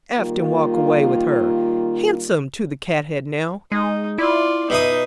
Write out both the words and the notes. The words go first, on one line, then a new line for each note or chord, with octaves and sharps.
Aft and walk away with her! Handsome to the cathead, now!
D#3 G3 A#3 F4
G#3 D#4
E4 F4 D5
B2 D#4 E5 D#6